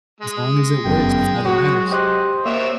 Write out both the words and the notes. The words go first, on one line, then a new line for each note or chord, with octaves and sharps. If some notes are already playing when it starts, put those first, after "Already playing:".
As long as it works, that's all that matters.
G#3
G1 F#2 B3 G5
F#3 F#4
G4 C5 D#5 F#6
A#3 C4 C#5 E5